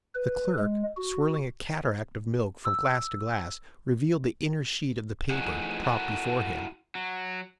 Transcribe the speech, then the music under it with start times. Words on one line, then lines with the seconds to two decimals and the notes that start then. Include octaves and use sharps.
The clerk, swirling a cataract of milk from glass to glass, revealed the inner sheet of the paper propped before him.
0.15 B4
0.59 G#3
0.97 F#4
2.65 E6
5.30 E3 F3 A3 D#4 G#4 F#5
5.84 E4 F#4 A4 A#4 F#5
6.95 F#3